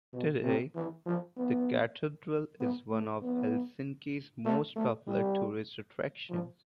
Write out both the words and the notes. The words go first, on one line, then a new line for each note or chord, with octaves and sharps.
Today, the cathedral is one of Helsinki's most popular tourist attractions.
B2
C3
E3
F3
B3
B3
A3
B3
A3
A3
G3
F3